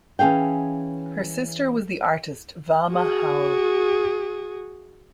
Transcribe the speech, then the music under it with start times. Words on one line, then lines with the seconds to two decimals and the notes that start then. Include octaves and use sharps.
Her sister was the artist Valma Howell.
0.19 E3 C#4 G#4 F5 G5
2.92 F#4 G#4